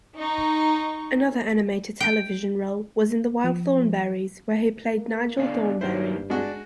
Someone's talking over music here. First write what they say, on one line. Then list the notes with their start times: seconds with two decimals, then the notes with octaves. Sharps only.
Another animated television role was in "The Wild Thornberrys", where he played Nigel Thornberry.
0.19 D#4 C#6
2.00 G5
3.44 F3
4.86 A#3
5.39 B2 D3 D4 F5
5.81 G2 D#3 A#3 E4 C5
6.30 G#3 D4 F#4